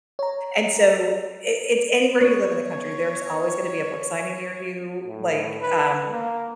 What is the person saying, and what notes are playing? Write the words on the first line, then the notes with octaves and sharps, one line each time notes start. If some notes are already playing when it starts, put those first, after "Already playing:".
and so, i it's anywhere you live in the country, there's always gonna be a book signing near you, like, um
C#5 A#5
B3 C#5
A2
B4
A#3